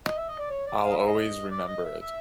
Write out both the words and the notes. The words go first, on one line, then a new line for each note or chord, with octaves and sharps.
I'll always remember it.
D#5
E5
D#5
D5
C#5
D5
F5
D#5
E5
D#5
D5
D#5
E5
E5